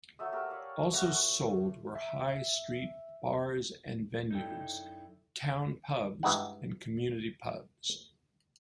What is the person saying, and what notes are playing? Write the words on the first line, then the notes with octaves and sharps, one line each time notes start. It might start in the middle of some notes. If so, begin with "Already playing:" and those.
Also sold were High Street Bars and Venues, Town Pubs and Community Pubs.
F#3 A3 E5 D#6
G4 A4 A#4
C#5 D5 F5
A3 A#3 F#4 F#5
F4 A4
E5
F#2 D#4 E4 A4 D5 G5
G2 E3 G#3 D#4 F#5